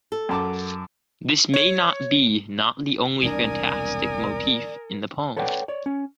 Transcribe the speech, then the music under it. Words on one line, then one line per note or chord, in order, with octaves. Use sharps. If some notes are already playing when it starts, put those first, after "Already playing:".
This may not be not the only fantastic motif in the poem.
A4
F#2 A5 D6
C#5
E1 C2 D4 A#4 D5 G#5 D#6
A4 B4 C#5 D5 F#5 G5
C#5 D5
C#4